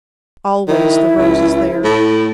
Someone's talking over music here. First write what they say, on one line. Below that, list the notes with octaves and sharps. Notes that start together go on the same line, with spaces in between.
Always the rose is there.
D#3 E4
C#2
A2